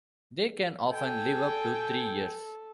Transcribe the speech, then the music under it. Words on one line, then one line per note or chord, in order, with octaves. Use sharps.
They can often live up to three years.
A4 G5 G#5